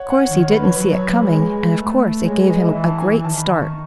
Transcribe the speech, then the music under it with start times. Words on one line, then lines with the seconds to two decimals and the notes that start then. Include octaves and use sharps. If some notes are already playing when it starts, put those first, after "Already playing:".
Of course he didn't see it coming, and of course it gave him a great start.
Already playing: C#5 F#5
0.10 F#5
0.26 D#3 C#5
0.39 C#5
0.51 B4
0.63 C#5
0.75 F#3 B4
0.93 C#5
1.09 B4
1.26 G#3
1.75 A3
2.25 G#3 C#5
2.37 B4
2.50 D#5
2.62 E5
2.75 E3 B5
2.87 A5
3.00 G#5
3.12 G#5
3.24 D#3 A5
3.37 B5
3.49 A5
3.62 C#6